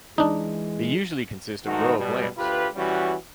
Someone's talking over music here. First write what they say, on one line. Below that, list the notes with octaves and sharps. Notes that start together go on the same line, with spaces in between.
They usually consist of row of lamps.
E3 G#3 D4 D#4
G#2 D#3 G#3 A3 D#4 F#4
B2 G3
D2 F4 G4 B4
E3 G3 C#4 F#4